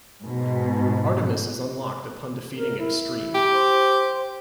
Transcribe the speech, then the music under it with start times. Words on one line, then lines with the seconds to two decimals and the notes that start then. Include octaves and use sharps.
Artemis is unlocked upon defeating Extreme.
0.22 G#2 B2
2.57 A#4
2.79 E4
3.35 G4
3.52 C5